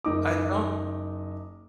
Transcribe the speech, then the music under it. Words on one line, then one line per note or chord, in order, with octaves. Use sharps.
I don't
F#1 D#4 D6